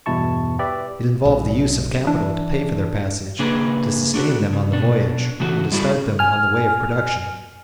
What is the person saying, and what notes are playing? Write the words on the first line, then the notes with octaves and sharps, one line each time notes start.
It involved the use of capital to pay for their passage, to sustain them on the voyage, and to start them on the way of production.
E2 G2 B2 E4 A5 C#6
G4 B4 D5 E5
B1
E3 D4
C#3 A#3 D4 G#4 B4
A3 D4 F#4
C#3
B2 D4
C#3 E3 A3 F#4
G3 A3 E4 F#4 G#4
G#5 F6